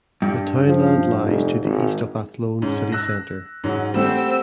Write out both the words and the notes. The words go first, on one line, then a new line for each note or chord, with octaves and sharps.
The townland lies to the east of Athlone City Centre.
G2
F3
F1
G#1
G#2 C#4
E6 F#6 A#6
G#2 F#3
G3 A3 C4 F#4 E6